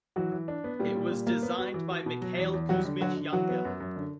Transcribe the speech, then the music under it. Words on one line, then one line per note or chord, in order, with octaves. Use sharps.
It was designed by Mikhail Kuzmich Yangel.
E3 F#3 F#4
E3
D4
B3
A#2 G3 G4
A#2
A#2
A#3
B3
F#4
E3
F#4
B2
F#3
E2
E2
F#3 G3 F#4
D3
D3 F#3 F#4
D3
E3 F#3 F#4
B3
F#2
F#2
D3